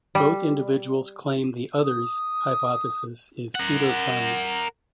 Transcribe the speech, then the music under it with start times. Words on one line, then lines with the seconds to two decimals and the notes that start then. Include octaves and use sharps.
Both individuals claim the other's hypothesis is pseudoscience.
0.15 G3
1.84 D#6
3.55 A#4 F#5